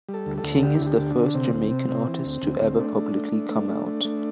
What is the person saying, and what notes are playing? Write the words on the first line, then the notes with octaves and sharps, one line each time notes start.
King is the first Jamaican artist to ever publicly come out.
G3
A4
D2
A4
D2
D3 G4
D2 E4
G4
D3
D4
D3
C3 C4
D2
C3
C3
E3
D2
D2
D2
A3 D4
A3
A3
A3
A3
A3
A3
A3